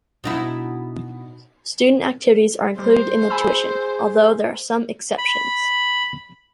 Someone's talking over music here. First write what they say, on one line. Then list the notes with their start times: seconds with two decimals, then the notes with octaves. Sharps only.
Student activities are included in the tuition, although there are some exceptions.
0.24 B2 D#4 E4
2.79 G3 C5
3.30 G#4 G#5 B5 E6
5.18 B5